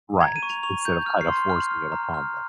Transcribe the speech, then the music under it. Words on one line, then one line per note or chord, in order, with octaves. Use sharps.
Right. Instead of, kind of, forcing it upon them.
A#5 G#6
D#7
C#6
F7
C#6 F7
G6
F6
C7
C6
F6
F6
A#5
F6